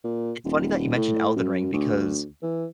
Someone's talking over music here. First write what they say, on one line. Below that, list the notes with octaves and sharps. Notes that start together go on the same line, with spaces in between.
it's funny that you mentioned Elden Ring because,
A#2
D#1
A2
F#2
D2
E3